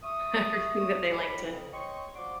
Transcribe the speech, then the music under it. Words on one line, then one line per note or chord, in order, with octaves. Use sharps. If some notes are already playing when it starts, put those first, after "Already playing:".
everything that they like to
E5 C#6 D#6
A2 D#3 B5
F2 C#3
C#5 D#5 G5 C6 C#6
F3 F#4 D5 F#5 C6 D6